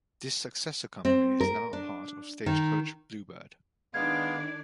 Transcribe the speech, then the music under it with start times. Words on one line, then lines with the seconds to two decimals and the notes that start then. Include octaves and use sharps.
This successor company is now a part of Stagecoach Bluebird.
1.05 C4
1.40 A#4
1.73 D4
2.46 D#3
3.94 D#3 G#3 B3 D4 D5 F5 G#6